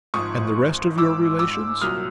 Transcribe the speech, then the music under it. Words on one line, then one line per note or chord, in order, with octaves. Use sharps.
'And the rest of your relations?'
G#1 G#2 F3 C#6 D#6
D6 E6
D6 E6
C2 A#2 F#3 D#6 F6